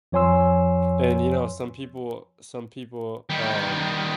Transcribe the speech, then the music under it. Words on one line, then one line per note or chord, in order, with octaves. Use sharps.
and, you know, some people some people, um,
F2 F3 C#5 G#5 C6 E6
D#3 G3